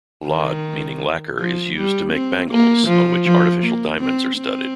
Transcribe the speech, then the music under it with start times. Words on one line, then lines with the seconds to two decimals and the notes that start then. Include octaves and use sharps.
"Laad" meaning lacquer is used to make bangles, on which artificial diamonds are studded.
0.27 D#3
1.39 F3
1.76 G3
2.13 C4
2.51 A#3
2.87 F3
3.26 F3
3.63 A#3
4.00 C4
4.38 C4